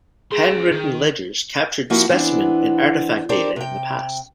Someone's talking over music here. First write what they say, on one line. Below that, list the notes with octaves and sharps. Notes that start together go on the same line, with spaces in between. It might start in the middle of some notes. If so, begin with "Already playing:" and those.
Handwritten ledgers captured specimen and artifact data in the past.
C#4 G#4 C6
D#3
F3 A#3 C4 E4 F#4
E3 B3 C4 D4
D4 G4 A#4 C5 D5
C3 G5